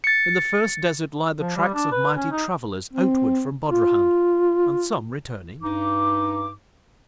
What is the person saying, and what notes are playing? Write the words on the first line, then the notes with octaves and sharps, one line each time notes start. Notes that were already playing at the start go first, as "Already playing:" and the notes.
In the first desert lie the tracks of mighty travellers outward from Bodrahan, and some returning.
A6 C#7
F3
G3
D4
B4
C#4
D#4
C4
F4
G2 D#4 D6